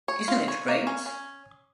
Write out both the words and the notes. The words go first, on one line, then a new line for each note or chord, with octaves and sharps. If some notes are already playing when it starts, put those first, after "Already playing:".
Isn't it great?
C#5
F4
C#5
A#3
C#4
C#4